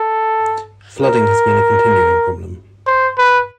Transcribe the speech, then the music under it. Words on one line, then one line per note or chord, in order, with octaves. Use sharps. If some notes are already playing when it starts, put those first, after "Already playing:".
Flooding has been a continuing problem.
Already playing: A4
A#4
C5
B4